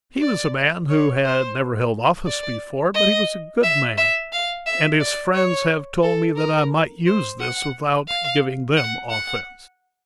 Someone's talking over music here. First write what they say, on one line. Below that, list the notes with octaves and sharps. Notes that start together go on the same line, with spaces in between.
He was a man who had never held office before; but he was a good man, and his friends have told me that I might use this without giving them offense.
D5
C#5
C5
D5
D#5
E5
E5
F5
E5
D5
C#5
A4
A#4
C5
F#5
F5
F#5
F#5